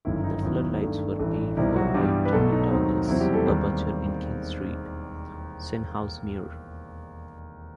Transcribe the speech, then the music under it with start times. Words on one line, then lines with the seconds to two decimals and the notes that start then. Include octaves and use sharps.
The floodlights were paid for by Tommy Douglas, a butcher in King Street, Stenhousemuir.
0.05 G1 F#2 D#3 E4
0.24 D#4
0.43 D#2 D#3 F#3 B3 E4
0.80 G2 D#3 A3
1.18 A1 G2 E3 A3
1.57 C2 B2 G3 C4 D#4 E4
1.76 F#3 F#4
1.88 F#4
1.94 G2 E3 G3 B3 G4
2.25 B4
2.33 B1 B2 F#3 A3 A4
2.52 D#4
2.71 D#2 D#3 F#3 A3 C4
3.08 E2 C3 F#3 C4 E4
3.21 G3 G4
3.33 A3 A4
3.46 E1 D#2 D#3 G3 C4 C5